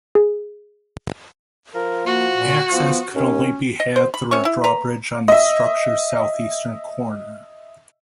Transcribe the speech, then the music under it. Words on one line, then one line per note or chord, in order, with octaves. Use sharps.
Access could only be had through a drawbridge on the structure's southeastern corner.
G#4
F3 A#4
A#3 F#4
A#2
F3 B3
D#2 C#4
D#5
C5
B5
C3 C#4 C#5 C#6
E4
B4 A#5
D#5 E5